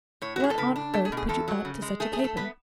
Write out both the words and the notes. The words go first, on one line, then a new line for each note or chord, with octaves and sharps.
What on earth put you up to such a caper?
A2 C#5
F#4
A2 G#4
A4
C#3 B4
D4
A3 A4
G#4
B2
G#4
E2 A4
F#3
C#3
G#3
A3 G#4
G#4
A3
A4
B3 B4